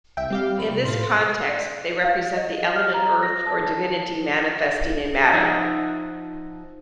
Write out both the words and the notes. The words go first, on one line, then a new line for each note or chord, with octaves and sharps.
In this context they represent the element earth or divinity manifesting in matter.
C2 E5 G5
G3 C4 G4 F5
F2 D#3 B5
C2
A2 F4 A4 C6
D5
F5
D#5
F6
A#5
A#6
A5
F3 D#4 E5 F#5 A#5